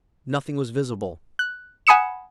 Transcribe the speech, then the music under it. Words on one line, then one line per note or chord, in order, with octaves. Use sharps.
Nothing was visible.
F#6
F#5 G#5 B5 D#6 C#7 E7